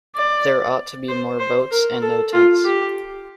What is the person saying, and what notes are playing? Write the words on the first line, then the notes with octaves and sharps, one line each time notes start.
There ought to be more boats and no tents.
D5
C5
C5
A#4
A4
F4
G4